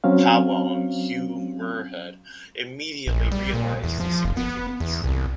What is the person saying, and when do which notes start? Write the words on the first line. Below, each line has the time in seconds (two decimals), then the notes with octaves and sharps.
Powell and Hugh Muirhead immediately realised the significance.
0.04 F#3 C4 C#4 F5
3.07 A#1
3.32 G3
3.54 A#2
3.84 E2
4.00 F3
4.25 F1
4.37 B3
4.80 E2
5.04 C2